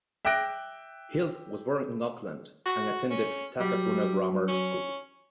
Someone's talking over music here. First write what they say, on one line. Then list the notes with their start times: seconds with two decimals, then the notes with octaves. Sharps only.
Hilt was born in Auckland, and attended Takapuna Grammar School.
0.25 E5 G5 D6 F#6 A#6 D7
2.66 F#4
3.10 C#4
3.60 F#3 G3
4.48 C#4